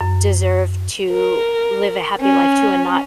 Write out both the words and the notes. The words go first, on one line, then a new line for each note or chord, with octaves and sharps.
deserve to live a happy life too and not
F#2
A#4
C#4